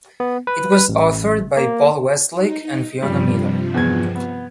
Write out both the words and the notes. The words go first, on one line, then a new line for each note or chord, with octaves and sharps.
It was authored by Paul Westlake and Fiona Miller.
B3
B4
B4
A1
A#3
D#4
G2 C3 F3 G3
E2 B2 G#6
B3